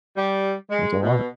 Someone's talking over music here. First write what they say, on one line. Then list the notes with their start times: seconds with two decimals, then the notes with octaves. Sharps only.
That's a lot.
0.15 G3
0.69 G#3
1.01 B2